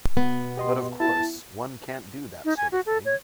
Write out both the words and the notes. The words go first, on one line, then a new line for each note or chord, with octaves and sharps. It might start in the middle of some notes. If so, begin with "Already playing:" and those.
But, of course, one can't do that sort of thing.
B2 B3
G4 D#5 C6
E4 A5
D#4
G#5
F#4
A4
C#5